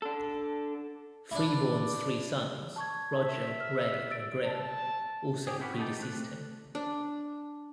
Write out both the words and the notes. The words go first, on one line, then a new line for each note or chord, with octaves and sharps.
Freeborn's three sons - Roger, Ray and Graham - also predeceased him.
D4 A4
D4 E4 D5
A5 C#6 G#6
E5
F6
E6 A6 D7
A5
G4 G#4
C4 C#4 E4 F#4 G4
A3 D#4 G4 A5 D6
A3 C4 F#6
D4